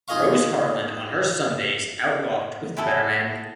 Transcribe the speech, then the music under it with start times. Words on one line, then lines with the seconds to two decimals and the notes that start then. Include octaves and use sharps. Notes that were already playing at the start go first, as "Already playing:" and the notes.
Rose Harland on her Sundays out walked with the better man.
0.08 D#4 F4 G#4 D#5 F5 C#6
2.77 E4 G#4 A4 F#5